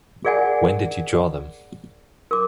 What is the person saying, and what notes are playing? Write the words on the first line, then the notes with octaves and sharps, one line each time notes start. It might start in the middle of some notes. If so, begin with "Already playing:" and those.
When did you draw them?
G#4 A#4 D5 F#5 G#5
A#4 D6